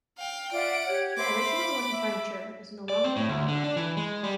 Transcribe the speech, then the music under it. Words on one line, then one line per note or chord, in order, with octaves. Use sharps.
The original wooden furniture is no longer available.
F5 G5
F4 D5 E5 F#5 D7
G4 C#5 G#6
C5 E5 B5 C6 D6
E5
D5
C4
A2
D2
D3
D4
E3
G#3
G3